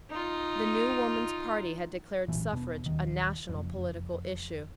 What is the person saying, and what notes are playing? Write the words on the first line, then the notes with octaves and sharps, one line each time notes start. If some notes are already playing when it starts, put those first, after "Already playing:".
The new Woman's Party had declared suffrage a national political issue.
D#4 F4
F#1 B1 A#2 E3
E1 B2
D#1 D#3
F#1 F2